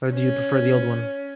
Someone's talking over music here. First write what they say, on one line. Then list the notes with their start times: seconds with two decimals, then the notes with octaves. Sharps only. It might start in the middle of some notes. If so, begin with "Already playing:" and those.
Or do you prefer the old one?
0.14 C#4